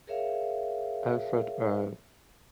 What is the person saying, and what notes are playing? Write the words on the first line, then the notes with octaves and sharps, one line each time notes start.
Alfred Earle.
G#4 A#4 C#5 E5 F5